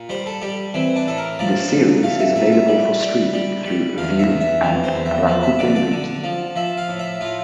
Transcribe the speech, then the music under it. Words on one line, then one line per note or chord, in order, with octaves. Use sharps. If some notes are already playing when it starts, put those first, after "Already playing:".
The series is available for streaming through Viu and Rakuten Viki.
Already playing: A#2
G3 C5
A4
G3 G4
E3 C4
D4
A2 A4
A#4
F3 D5
A#2
A3 F5
E5
A#2 E5
E5
G3
G3
G3
G3
E2 F5
E5
E2
E5
E3
C5
E2
E5
F3
E5
D3 D5
D5
D3
F3
F3 E5
F5
A2
E5
A2 F4